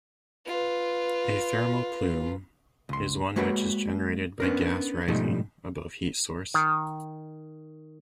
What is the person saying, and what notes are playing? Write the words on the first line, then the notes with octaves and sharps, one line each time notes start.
A thermal plume is one which is generated by gas rising above heat source.
F4 B4
C#2 C6
G#3 A#3 F#4 B4 C#5 F#5
B3 C#4 D4 A#4
G#2 B2 F3 G3 A3 D#4
D#3